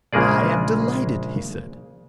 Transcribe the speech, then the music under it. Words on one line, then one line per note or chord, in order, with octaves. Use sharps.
'I am delighted,' he said.
A#1 C#3 G#3 A#3 G#4 D5